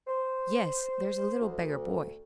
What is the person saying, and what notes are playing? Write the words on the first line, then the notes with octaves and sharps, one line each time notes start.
"Yes; there's a little beggar boy."
C5
D2